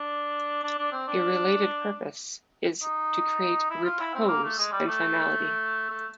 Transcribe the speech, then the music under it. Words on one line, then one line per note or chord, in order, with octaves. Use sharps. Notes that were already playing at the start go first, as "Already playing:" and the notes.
A related purpose is to create "repose" and finality.
Already playing: D4
D4
D4
C4
D4
D#4
E4
F4
E4
C4
A#3
A3
G#3
G3
A3
A3